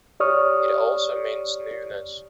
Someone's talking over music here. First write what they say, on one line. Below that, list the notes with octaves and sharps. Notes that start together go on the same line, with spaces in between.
It also means Newness.
G4 C#5 D5 C#6 D#6 F6